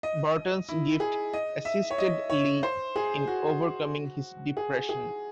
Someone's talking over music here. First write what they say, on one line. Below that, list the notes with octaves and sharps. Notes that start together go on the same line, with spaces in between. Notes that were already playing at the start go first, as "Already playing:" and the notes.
Burton's gift assisted Lee in overcoming his depression.
D#5
E4
G#4
D#5
E5
C#5
D#5
C#5
C5
G#4
F#4
G#4
G#4